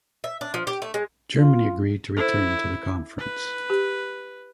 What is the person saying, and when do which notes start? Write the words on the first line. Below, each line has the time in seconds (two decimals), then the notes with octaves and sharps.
Germany agreed to return to the conference.
0.24 E5
0.41 D4
0.54 F3
0.67 G4
0.82 A3
0.94 G#3
1.36 F4
2.17 E4 A4 C5
3.19 B4
3.70 G4